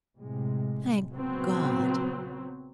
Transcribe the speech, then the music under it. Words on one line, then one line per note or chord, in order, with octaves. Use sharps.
"Thank God!"
A2 C3 G#3
A#1 C#3 F#3 B3 C4